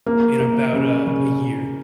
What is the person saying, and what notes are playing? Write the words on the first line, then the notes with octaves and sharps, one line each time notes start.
in about a a year.
A#3
A#3
C#3
C#3